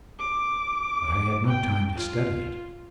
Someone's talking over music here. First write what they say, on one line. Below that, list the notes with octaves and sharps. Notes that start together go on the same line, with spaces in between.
But I had no time to study it.
D6
G5
F4